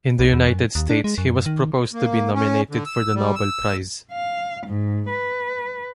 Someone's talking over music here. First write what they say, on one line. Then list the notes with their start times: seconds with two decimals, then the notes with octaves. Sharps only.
In the United States he was proposed to be nominated for the Nobel Prize.
0.19 B1
0.33 E2
0.47 F#2
0.75 D#2
0.89 D4
1.04 G#3
1.18 F#2
1.46 D#3
1.93 A#3
2.34 C#4
2.70 D3
2.86 E6
3.15 G3
3.35 E6
4.12 F5
4.67 G#2
5.10 B4